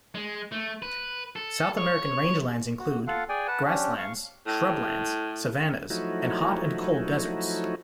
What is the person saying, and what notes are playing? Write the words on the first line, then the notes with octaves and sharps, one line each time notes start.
South American rangelands include; grasslands, shrublands, savannas, and hot and cold deserts.
G#3
A3
B4
A4
C#5
F#4
F4 A4 F5 F#5
G#4 D5 G5 G#5
B4 F#5 A5
C#4 D4 G4
F5 C#6
A2
F3 F#3 A3 D#4 E4 F#4